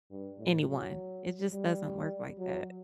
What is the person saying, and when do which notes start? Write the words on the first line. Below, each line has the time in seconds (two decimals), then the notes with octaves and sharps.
anyone. It just doesn't work like that.
0.11 G2
0.39 A2
0.67 F#3
1.53 G3
2.39 F#3